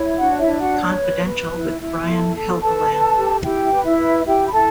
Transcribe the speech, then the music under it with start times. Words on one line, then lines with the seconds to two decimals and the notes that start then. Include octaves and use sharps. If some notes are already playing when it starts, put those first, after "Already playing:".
Confidential with Brian Helgeland.
Already playing: E4 C#5
0.18 D4 F#4 F#5
0.38 E4 E5
0.46 D4
0.59 F#4 F#5
0.73 C#5
1.00 B4
1.27 B4
1.55 E4
1.81 E4
2.08 A4
2.36 A4
2.63 A4 B4 A5
2.91 B4
3.18 G4
3.44 E4 G4 G5
3.72 B4
3.85 E4 E5
3.98 B4
4.26 E4 G4 G5
4.48 B5
4.52 E4 A4 A5